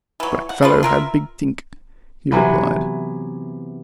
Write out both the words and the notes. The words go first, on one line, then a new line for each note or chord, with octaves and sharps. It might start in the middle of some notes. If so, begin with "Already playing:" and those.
"Black fellow hab big tink," he replied.
E3 F#3
F#5
D4 F4 B4
F4 A#4 E5
C3 E3 F#3 B3